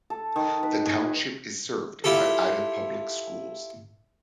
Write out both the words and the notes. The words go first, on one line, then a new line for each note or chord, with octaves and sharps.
The township is served by Ida Public Schools.
A4
D#3
B4
G#4
E4 F4 G4 A4